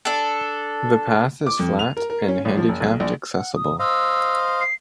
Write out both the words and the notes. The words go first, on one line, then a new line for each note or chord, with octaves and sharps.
The path is flat and handicapped-accessible.
D4 A4
D6
F2
F7
A#4
A#4
C#4
A1
F3
F#1
B1
A#1
F#5
D#6
C5 D#5 F5 E6
C7